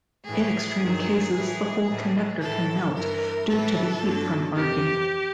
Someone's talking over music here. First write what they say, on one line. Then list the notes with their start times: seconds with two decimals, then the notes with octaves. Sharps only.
In extreme cases the whole connector can melt due to the heat from arcing.
0.25 A2 E3 G#4
0.79 G2 D#3 F#3
1.33 A2 E3
1.86 A2 E3
2.40 A2 E3 A4
2.93 G2 E3 A#4
3.47 A2 E3 A4
4.01 G2 D3 F#3
4.55 F2 C3 E3 G4